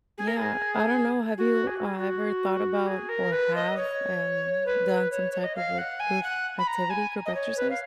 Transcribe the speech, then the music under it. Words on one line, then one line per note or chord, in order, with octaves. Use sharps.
Yeah. I don't know. Have you, ah, ever thought about or have, um, done some type of, like, group activity, group exercise?
G#4
A#4
G#4
F#4
G#4
F#4
G#4
F#4
G#4
A#4
B4
D#5
C#5
B4
C#5
C#5
D#5
F5
F#5
G#5
F#5
B5
A#5
G#5
D#5
C#5
B4
F5